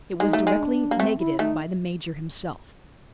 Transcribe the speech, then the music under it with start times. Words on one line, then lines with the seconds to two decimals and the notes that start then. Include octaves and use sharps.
It was directly negatived by the major himself.
0.20 G#3 D#4
0.33 A3
0.47 G#3
0.60 D4
0.91 A#3
0.99 A3 C4
1.19 E4
1.39 A3 D#4